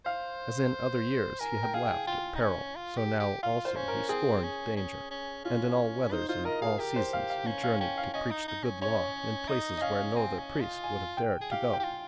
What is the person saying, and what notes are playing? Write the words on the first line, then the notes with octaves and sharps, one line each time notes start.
As in other years he had laughed at peril, so now also he scorned danger; and in all weathers and all seasons he journeyed to preach the good Law in places where no other priest would have dared to go.
C5 F5
A#4 G#5
G5
G#4 F5
G5
F4 G5
D#4
C#4
F4
G4
G4
F4 F5
C5
C#4
A#4
C4 G#4
C#4
C#4
C#4
C#4 F4
D#4 C5
F4 C5
A#4 D#5
G#4 F5
G4 A#4
C5
F5
F5
C#4
F5
C#4 G5
F5
C#4 D#5
D#4
D#4
C#4
C#4 C#5
D#4 D#5
D#5
C#4 F5
F5
C4 G#5
C#4
F4
G#5
G5
G#4
G4 F5
G5
G4
F4